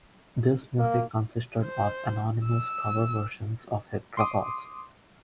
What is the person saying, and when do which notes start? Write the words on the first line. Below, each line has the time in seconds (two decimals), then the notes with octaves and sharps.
The music consisted of anonymous cover versions of hit records.
0.79 A#3
1.62 C5
2.45 E6
4.17 C6 D6 D#6